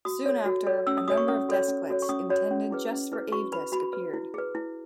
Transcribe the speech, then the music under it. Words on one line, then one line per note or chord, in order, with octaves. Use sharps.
Soon after, a number of desklets intended just for AveDesk appeared.
F#4 D#6
A4 C#5
F#4
A4 C#5
C#4 E6
D#6
F#4 A4 C#5 D#6
C#6
C#4 D#6
F#4 A4 C#5
C#4
F#4 A4 C#5
C#6
C#4 D#6
F#4 A4 C#5
C#4
E4 G#4 B4
C#4
E4 G#4 B4
F#4 C#6
B4 B5
F#4 B5
B4
E4
G#4 B4
E4